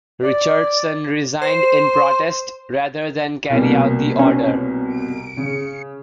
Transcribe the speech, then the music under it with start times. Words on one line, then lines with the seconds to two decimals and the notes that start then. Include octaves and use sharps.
Richardson resigned in protest rather than carry out the order.
0.23 D5
1.42 C5
3.50 C2 B2 A#3
4.19 C#4
5.37 C#3